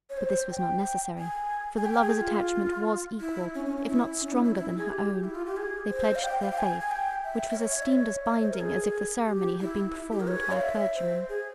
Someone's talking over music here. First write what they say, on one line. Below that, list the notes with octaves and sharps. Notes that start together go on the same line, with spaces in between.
But this was not necessary, for the lover's attachment was equal, if not stronger than her own; they pledged their faith, which was esteemed as binding as if the ceremony had been performed by a clergyman.
C#5
C5
G5
G#5
G#5
G5
G#4
F4
E4
C#4
C#4
C#4
E4
C#4
E4
E4
E4
G#4
G4
E4
F4
G4
G#4
C5
F5
G5
F5
G5
G#5
G#5
G5
E5
E5
C#5
E5
C#5
E5
C#5
C5
A#4
G#4
G4
E4
E4
G4
A#4
C#5
F5
E5
C5
G#4